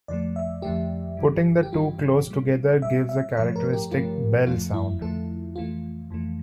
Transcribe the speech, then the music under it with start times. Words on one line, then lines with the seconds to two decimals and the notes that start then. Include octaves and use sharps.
Putting the two close together gives a characteristic "bell" sound.
0.08 F2 D3 F3 A3 D5
0.36 E5
0.62 F2 D3 F3 A3 G4
1.17 G2 E3 G3
1.63 G4
1.72 G2 E3 G3 F4
2.27 A#2 G3
2.82 A#2 G3 E5
3.09 E5
3.37 G2 D3 F3 A3 C#5
3.56 A#4
3.73 G4
3.91 G2 D3 F3 A3 F4
4.47 F2 D3 F3 A3 F4
4.74 E4
5.01 F2 D3 F3 A3 A4
5.56 F2 E3 A3 F4
6.10 F2 E3 A3